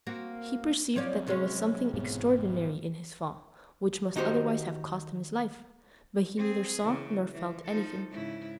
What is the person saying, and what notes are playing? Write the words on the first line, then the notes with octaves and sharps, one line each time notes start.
He perceived that there was something extraordinary in his fall, which must otherwise have cost him his life; but he neither saw nor felt anything.
A#3 C4 F#4
F3 F#3 C4 C#5 D5
C3 G#3 C#4
E1 G#2 B2
D#3 D#4 F#4 G4 C5
C4 G#4
C#3 E3
E3
F3 D#4 A4
G#2 C#3 E4